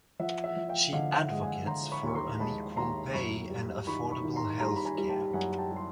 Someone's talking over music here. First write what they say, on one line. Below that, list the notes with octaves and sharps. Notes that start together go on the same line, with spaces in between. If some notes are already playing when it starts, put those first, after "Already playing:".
She advocates for an equal pay and affordable health care.
F3 E5 F#5
E5 F#5
F3
F5 G5
D3 D#5 F5
E5 F#5
G#3
F#5 G#5
D3 A#5 C6
B5 C#6
D#2 C#6
A#5 C6
G#3 A5 B5
D#2 A#5 C6
F#2 B5 C#6
G3
D#3 B5 C#6
B5 C#6
D#3
A#5 C6
G3 A#5 C6
B5
G#5 A#5
G3
G5 A5
F#2 F#5 G#5
G5 A5
G3
C6